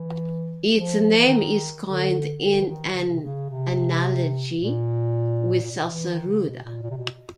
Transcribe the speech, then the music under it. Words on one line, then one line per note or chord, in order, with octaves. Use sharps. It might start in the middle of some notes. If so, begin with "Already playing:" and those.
Its name is coined in an analogy with Salsa Rueda.
Already playing: E3
F3
E3
D#3
D3
D3
E3
D#3
C#3
C3
C#3
C3
A#2
A#2
B2
E3
D#3
C#3
B2
A#2
A#2
C3
B2